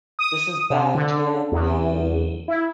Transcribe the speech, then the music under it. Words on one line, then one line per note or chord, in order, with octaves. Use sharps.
this is back in the
D#6
C3
D3
E2
E4